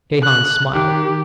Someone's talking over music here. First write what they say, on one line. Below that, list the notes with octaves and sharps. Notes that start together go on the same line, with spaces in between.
Gahan smiled.
F#6
D#3 G4